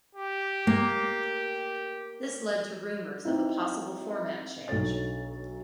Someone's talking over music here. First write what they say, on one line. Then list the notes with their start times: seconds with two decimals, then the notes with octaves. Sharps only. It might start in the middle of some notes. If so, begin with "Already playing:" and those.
This led to rumors of a possible format change.
0.15 G4
0.67 A#3
3.25 C4 D#4 E4
4.68 B1 D4 D#4 A4 C#5 A6